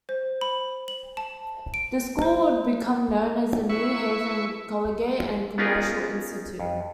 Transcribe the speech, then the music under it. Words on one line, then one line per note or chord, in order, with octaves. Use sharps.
The school would become known as the New Haven Collegiate and Commercial Institute.
C5
B5
F#7
A5
D7
C5
E4 B4 C#6
B3 C#4 D#4 F4 G#4 A#4
F2